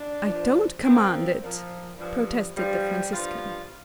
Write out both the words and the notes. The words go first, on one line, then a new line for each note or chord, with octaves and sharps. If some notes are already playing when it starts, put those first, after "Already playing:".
"I don't command it!" protested the Franciscan.
Already playing: D4
G2 F3
A#2 F3 C4
A#2 F3
G2 F3
G2 F3 G3
G2 F3 F4